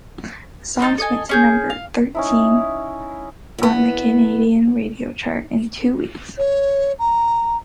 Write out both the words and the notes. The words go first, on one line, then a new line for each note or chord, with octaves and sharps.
The song went to number thirteen on the Canadian radio charts in two weeks.
C4 D#4 A5
A4 D#5 G#5
C#4 G#4 G6
F5
C#4 D#4 E4
E2 B3
C#5
A#5